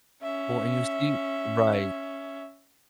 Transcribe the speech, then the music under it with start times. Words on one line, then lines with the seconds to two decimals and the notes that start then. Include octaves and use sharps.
Well, and you see right.
0.23 C#4 E5